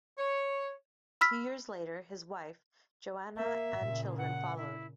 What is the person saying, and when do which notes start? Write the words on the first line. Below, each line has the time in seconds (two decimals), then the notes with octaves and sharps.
Two years later, his wife Johanna and children followed.
0.18 C#5
1.21 B5 E6 F6 B6
3.37 A#3 E5
3.77 A#2 C#3
4.18 F#5
4.56 E4